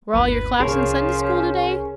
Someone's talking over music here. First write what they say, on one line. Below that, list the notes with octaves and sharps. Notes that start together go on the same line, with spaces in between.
"Were all your class in Sunday School today?"
G1 D#2 B4
C2 F3 C#4 G#4 A#4 C#5